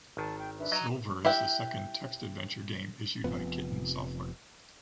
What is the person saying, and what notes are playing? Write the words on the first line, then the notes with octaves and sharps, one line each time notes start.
Silver is the second text adventure game issued by Kitten Software.
G#1 D#3 A5
G5
D4 B4 E5
F#3 D#5 A#5
E4 G4 E5 F#5
F1 C3 F3 B3